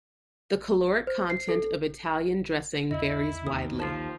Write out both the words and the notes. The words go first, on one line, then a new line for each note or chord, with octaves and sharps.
The caloric content of Italian dressing varies widely.
C5
C7
A4
E2 E4 D#5 E5
D#2 D#6
F3 A5